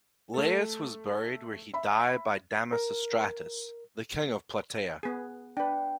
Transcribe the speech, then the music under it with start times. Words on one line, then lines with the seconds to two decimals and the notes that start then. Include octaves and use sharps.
Laius was buried where he died by Damasistratus, the king of Plataea.
0.34 A3 A4
1.74 E5 B5
2.73 A#4
5.03 B3 G#4
5.57 D4 B4 G5